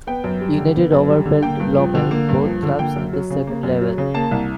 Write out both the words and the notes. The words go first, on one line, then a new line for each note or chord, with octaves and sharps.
United Overpelt-Lommel, both clubs in the second level.
B3 G5
F#2
G3
D3
B3
F#2
G3
D3
A#3 G5
G2
F3
D3
A#3
G2
F3
D3
A#3 G5
F#2
F#3
C#3
A#3
F#2
F#3
C#3
A#3 A5
C2